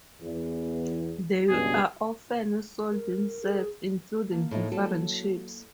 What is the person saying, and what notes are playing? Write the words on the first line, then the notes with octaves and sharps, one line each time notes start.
They are often sold in sets, including different shapes.
E2
C#2 G2 B2 G#4
A#4
G#4
A#3 A#4 A5
A2 A3 D#4
F#3 A4